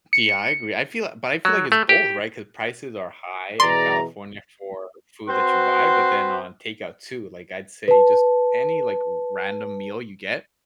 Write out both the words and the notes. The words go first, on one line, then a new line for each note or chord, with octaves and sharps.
De I yeah, I agree, I feel a but, I feel like it's both, right, 'cause prices are high in California for food that you buy, but then on takeout too, like, I'd say just any, like, r random meal you get,
C#7
F#3
A3
G4
B2 E3 G#4 D5 A#5 C6
C4 F#4 B4 C5 C6
B4 A5